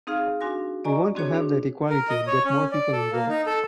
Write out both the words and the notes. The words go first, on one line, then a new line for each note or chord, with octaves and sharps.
We want to have that equality and get more people involved.
C4 D#4 G#4 F5 F6
D4 F#4 G#5 C6 A#6
D5 D#5 G#5 A#5 C#6
C4 D4 F#4 G#4 C#5
D4
A#4
D#5
C#5
C#4
D5
A4
A#3
D#4
A4